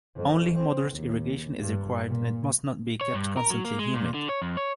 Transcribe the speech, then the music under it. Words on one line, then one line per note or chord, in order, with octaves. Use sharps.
Only moderate irrigation is required and it must not be kept constantly humid.
F2
C4
D#2
G2
A#2
C#5
G2
A#4
F#3
A#3
G#3
A#2
D3
C#5
F2
C#5